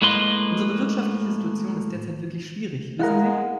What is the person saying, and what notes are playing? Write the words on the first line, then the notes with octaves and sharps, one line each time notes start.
Unsere wirtschaftliche Situation ist derzeit wirklich schwierig, wissen Sie.
A2 G#3 A#3 B4 D#5 C6
G#3 E4 A#4 F5 F#5 A#5